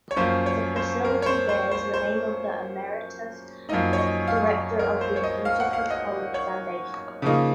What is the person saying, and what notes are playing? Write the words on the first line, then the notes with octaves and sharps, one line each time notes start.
The facility bears the name of the emeritus director of the Utica College Foundation.
C#5
F#2 F3 A#3 C#4 C5
C#5
C5
A#4
C#5
C5
C5
C5
C5
F#2 F3 A#3 D#4 D#5
C#5
D#5
F5
A#4
C5
C#5
D#5
F5
F#5
F5
D#5
C#5
C#3 F3 A#3 D#4